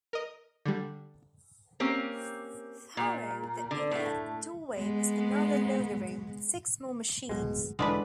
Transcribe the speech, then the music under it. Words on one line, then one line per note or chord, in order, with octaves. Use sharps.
Through the inner doorway was another longer room, with six more machines.
A#4 D#5
D3 G3
A#3 C4 C#4 G4
A#2
D3
A2 A3
G#3 B3
D1 B2 G#3
E1 D3 E3 G#3 D4 B4